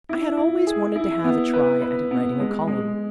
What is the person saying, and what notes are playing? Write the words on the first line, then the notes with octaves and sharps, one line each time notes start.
I had always wanted to have a try at writing a column.
E4
E4
G#4
E4
B3
B4
B4
B3
G#3
G#3